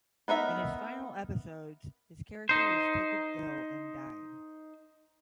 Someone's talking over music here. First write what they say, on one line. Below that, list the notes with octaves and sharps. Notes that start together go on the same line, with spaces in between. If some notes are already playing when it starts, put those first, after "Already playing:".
In his final episodes, his character was taken ill and died.
B3 D#4 A#4 E5
D#4 C5